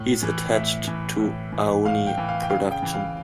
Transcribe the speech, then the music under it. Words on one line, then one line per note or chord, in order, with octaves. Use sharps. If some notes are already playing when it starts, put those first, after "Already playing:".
He is attached to Aoni Production.
Already playing: A2
E3
A2 E5
E3
A2
E3
A2 F5
G5
E3
F5
G5
C#3 F5
G5
E3
F5